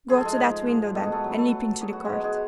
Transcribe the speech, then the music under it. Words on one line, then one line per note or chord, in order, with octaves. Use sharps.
Go to that window, then, and leap into the court.'
F3 G#4
A4
G#3 G#4
G#2
G#2
B2 A4
G#4
A3 A4
F#3
B4
A3 A4
F#3
F#3 G#4
F#4
B2 G#3 G#4
G#3 G#4